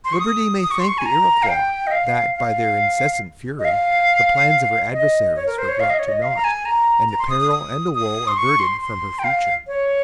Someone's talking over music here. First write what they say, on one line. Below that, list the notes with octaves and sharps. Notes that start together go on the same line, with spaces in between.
Liberty may thank the Iroquois, that, by their insensate fury, the plans of her adversary were brought to nought, and a peril and a woe averted from her future.
C6
C#6
D#6
D#6
C#6
C6
C#6
G#5
A#5
F5
G5
D#5
F5
F5
D#5
F5
D#5
C#5
A#4
C5
C#5
F5
D#5
C#5
D#5
F5
A#5
G#5
A#5
A#5
C6
D#6
D#6
D#6
D#6
C6
C#6
C6
C6
G5
F5
C#5